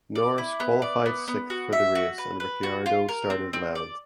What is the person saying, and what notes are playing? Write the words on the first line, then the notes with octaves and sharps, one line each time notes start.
Norris qualified sixth for the race and Ricciardo started eleventh.
D5
E4
B3
D5
B3
B3
F#4
E5
F#4
B4
B4
F#4
F4
A#4
C4
C4
D5